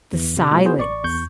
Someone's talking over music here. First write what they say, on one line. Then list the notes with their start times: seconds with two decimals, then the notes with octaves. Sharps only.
the silence.
0.13 E2 E3
0.37 C3
0.51 B2 G#3 B3 F4
0.64 B3 E4 F#4 G#4 C5
0.78 A1 D5 C#6
1.04 E2 C#6 G6